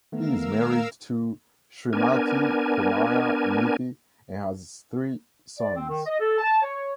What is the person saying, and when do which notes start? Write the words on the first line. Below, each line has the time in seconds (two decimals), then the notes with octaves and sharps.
He is married to Shrimati Pomaya Mithi and has three sons.
0.12 D#3 A3 B3 A#4 F5 E6
1.93 B3 D4 A#4 G#5
5.58 D5
5.75 C4
5.89 D#3
6.06 D#5
6.19 A4
6.38 A5
6.63 C#5